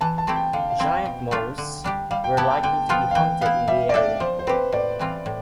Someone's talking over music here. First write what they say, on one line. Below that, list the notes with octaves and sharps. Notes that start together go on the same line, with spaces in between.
Giant moas were likely to be hunted in the area.
E3 A5
A5
A3 C4 E4 G4
G5
D3 F5
F5
F3 C4 E4 G5
B2
A3 D4 F4
D3
G3 D4 G4
G3 F5
G5
B3 E4 G4 A5
G5
D3 G5
F3 B3 F4 A4 G5
F5
E3 G5
B3 E4 F5
G3 E5
D5
D4 A4 E5
F3 C5
C5
C4 G4 B4
A2 D5
E3 G3 C4 F4
A2